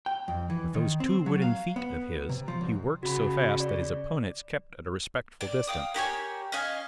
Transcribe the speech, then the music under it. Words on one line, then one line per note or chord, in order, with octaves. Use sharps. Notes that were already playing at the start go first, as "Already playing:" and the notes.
With those two wooden feet of his, he worked so fast that his opponents kept at a respectful distance.
G5
F2
E3
D#3
C4
F#3
F5
B3
C3
F3
C2
C#3 F#4 B5
D5
D5
F5 G5 D#6
A#3 G4 C#5 G#5
C#4 D#5 F5 G#5